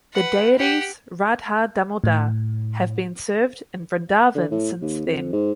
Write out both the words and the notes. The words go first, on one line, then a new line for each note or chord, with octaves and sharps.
The deities Radha Damodar have been served in Vrindavan since then.
B4 F#5
G4 F#5
A2
D3
A2
D#2
F2
G#2